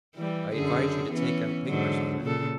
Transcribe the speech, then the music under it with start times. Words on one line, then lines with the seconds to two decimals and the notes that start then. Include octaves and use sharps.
"I advise you to take out papers on that."
0.15 E3 G3
0.55 F#2 D3 G#4
1.11 E3 B3 C#4
1.67 G#2 D3 F#3
2.22 A#2 C#3 A4